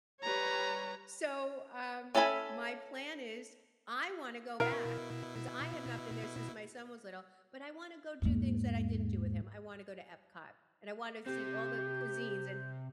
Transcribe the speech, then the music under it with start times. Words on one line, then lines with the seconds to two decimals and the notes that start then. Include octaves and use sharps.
So, um, my plan is I wanna go back, 'cause I have not been there since my son was little, but I wanna go do things that I didn't do with him. I wanna go to Epcot, and I want to see all the cuisines in
0.22 G3 B4 C#5 A#5
2.15 C#4 A4 E5 G#5 B5
4.60 B2 E4 A#4 F5
8.22 E2 G#2 A#3
11.26 C3 C4 G4 G6